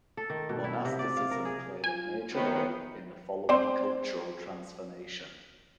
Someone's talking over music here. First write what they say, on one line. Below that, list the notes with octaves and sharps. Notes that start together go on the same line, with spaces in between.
Monasticism played a major role in the following cultural transformation.
A4
D#3
B2
E4
C3
D5
F5
A#4
G#4
F4 G#5
D#3 B3 F4 C5 C#5 E5 G5
C4 C5 D5